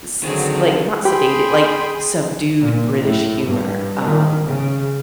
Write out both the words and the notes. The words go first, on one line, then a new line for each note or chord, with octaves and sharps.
s s like, not sedated like, subdued British humor, um,
D3 D#3 F#3 C4 G#4
G4 G#4 G5 B5 C6
A#2
A2
G2
D#3
C#3